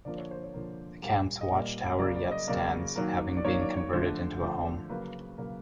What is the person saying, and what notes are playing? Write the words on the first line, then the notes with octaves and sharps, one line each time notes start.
The camp's watchtower yet stands, having been converted into a home.
D3 F3 A#3 D5
C#5
C5
C#5
D3 F3 A#3
A#2 G3 A#3
D#5
A#2 G3 A#3 D5
C#3 F#3 A#3 D5
D5
D#5
C#3 F#3 A#3 D5
D#3 F#3 A#3
D5
D#3 F#3 A#3 C#5
D5
C#5
D3 F3 A3 C5
D3 F3 A3
C#3 F#3 A#3 B4
C#3 F#3 A#3